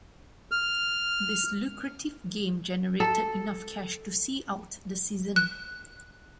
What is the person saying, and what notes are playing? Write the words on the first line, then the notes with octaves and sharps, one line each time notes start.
This lucrative game generated enough cash to see out the season.
F6
A4
F#6